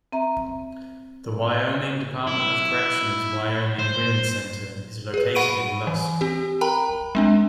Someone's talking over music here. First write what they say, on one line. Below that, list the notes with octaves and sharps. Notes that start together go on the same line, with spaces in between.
The Wyoming Department of Corrections Wyoming Women's Center is located in Lusk.
C4 E5 A#5
E4
C5
G#4 B4
F#5 B5 C#6 D7 D#7
E3
C4 G4
A#4 G5 A#5 B5
G#3 C4 D4